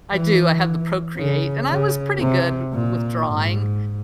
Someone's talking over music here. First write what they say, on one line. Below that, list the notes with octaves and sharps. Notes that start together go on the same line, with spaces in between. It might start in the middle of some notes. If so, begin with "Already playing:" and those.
I do, I have the Procreate, and I was pretty good w with drawing,
E3
C#3
C#3
C3
A#2
G#2